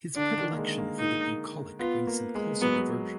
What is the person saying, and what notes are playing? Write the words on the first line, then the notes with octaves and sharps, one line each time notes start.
His predilection for the bucolic brings him closer to Virgil.
D3 D4
D#3
A#3
G#3
A#3
A#3 D#4
B3 F4
A#3
G#3
F#3 B3